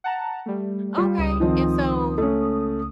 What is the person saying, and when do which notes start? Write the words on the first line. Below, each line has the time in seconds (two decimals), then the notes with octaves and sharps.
Okay, and so,
0.04 F#5 A5 A#5
0.46 G3 A3
0.98 G3 F4
1.18 C#2 D#6
1.40 D#3 F3 C4
2.18 A3 C#4